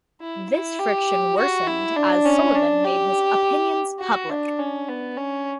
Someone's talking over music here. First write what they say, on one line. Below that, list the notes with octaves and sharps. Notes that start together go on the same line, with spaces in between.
This friction worsened as Sullivan made his opinions public.
E4
E4
G4
F#4
E4
D4
C#4
D4
G4
F#4
D4
C#4
B3
C#4